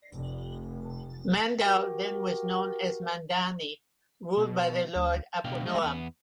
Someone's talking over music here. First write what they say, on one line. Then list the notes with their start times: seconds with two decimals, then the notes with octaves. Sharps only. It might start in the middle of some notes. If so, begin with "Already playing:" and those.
Mandaue then was known as Mandani ruled by their lord Aponoan.
0.13 F1
1.65 F#4 G4 A#4
4.37 B2
4.96 D2
5.45 C#2 B2 B3 D4 F5 G5
5.65 F#3 G#3 A3 D#4 D#5 E5
5.82 E2 B3